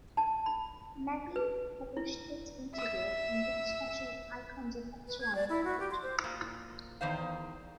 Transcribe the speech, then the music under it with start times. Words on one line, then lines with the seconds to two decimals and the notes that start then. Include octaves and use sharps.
Mmegi published its interview under a special "Icons of Botswana" feature.
0.17 A5
0.46 B5
1.36 B4
1.97 E4
2.74 E5 E6
5.08 B4
5.21 G#6
5.35 D5
5.49 E4
5.64 F#4
5.79 G4
5.91 C6
6.03 C5
6.24 A#2
7.01 E2 D#3 C5 F5